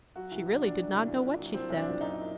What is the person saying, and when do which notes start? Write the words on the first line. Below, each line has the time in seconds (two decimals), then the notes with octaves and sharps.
She really did not know what she said.
0.16 F#3 F#4
0.31 C2
0.46 C2
0.62 A#2 D4
0.77 F#3
0.92 C2
1.08 C2
1.24 A#2
1.39 F#3
1.54 C2 C4
1.70 C2
1.77 D4
1.86 A#2
2.01 F#2 D#4